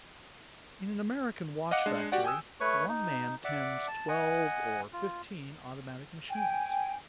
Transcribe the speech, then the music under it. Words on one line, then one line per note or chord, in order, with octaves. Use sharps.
In an American watch-factory one man tends twelve or fifteen automatic machines.
D#5 F5 F#5 D6 F#6 C#7
G#3 D4
F#4 G4 D5 F#5
G5 G#5 D#6 E6
A3 B4 C#5 C#6
D#4
D5 E5 F#5 D6
A5
D#5 F#5 G#5
F4
G5 G#5